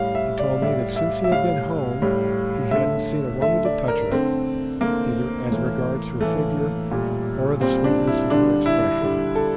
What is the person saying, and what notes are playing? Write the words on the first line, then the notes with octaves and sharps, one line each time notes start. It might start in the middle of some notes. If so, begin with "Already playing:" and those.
He told me that since he had been home he hadn't seen a woman to touch her, either as regards her figure or the sweetness of her expression.
Already playing: A2 G3 F5
E5
D5
A2 G3 E5
E5
E5
A2 G3 F5
A2 G3
D3 A3 E5
D3 A3 E5
D5
A#4
D3 A3 C4
D3 A3 A#3
A2 E3 A3
A2 E3 A3
A#2 G3
A#2 G3 C4
D4
E4
D3 G3 D4
E4
D3 G3
A4